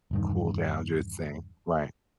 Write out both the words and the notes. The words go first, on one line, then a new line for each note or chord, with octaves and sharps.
Cool down, just seeing Right.
E1 G2 D#3